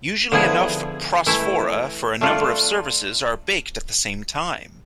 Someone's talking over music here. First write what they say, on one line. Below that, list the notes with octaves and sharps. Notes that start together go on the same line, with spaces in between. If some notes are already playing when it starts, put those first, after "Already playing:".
Usually enough prosphora for a number of services are baked at the same time.
D3 F3 B3 E4 G#4
E3 A3 E4
A3 D4 F4 A4 D5